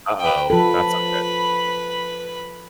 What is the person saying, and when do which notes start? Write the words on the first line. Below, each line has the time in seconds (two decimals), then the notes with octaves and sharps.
Uh-oh, that's not good.
0.19 B4 G5
0.50 F3 F4 A4 B4 B5